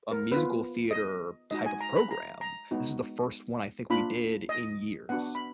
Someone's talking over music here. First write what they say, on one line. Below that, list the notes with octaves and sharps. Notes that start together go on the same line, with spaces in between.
a musical-theater-type of program, this is the first one I think we did in years,
A#4
B3 F4 B4
D#5
G#3 D#4 F#4 D#5
G#5
A#5
B5
A#5
A#5
G#3 B3 D#4 F#4
A#3 D4 F4 B5
D#5
B3 D4 F#4 F#5
B5